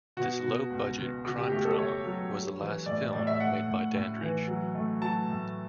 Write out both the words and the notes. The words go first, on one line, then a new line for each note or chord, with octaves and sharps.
This low budget crime drama was the last film made by Dandridge.
B2 F#4
B2
C#2
B2
C#3 F#4
G4
A3 G4
A4
A3 C#5
F#3
G3
E3
A2 D5
A2 D5
E5
A3 F#5
A2
A2
E3
F#3
A3
F#3 A5
A2